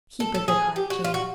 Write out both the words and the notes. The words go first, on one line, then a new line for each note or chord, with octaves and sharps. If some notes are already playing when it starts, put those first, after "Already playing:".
'Keep a good heart, Jane.
A4
A4
G#4
G4
F#4
F4
F#4